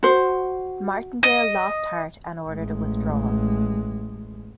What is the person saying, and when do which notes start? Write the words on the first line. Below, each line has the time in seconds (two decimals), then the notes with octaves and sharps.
Martindale lost heart and ordered a withdrawal.
0.03 F#4 C5
1.23 D#5
2.48 A1 G#3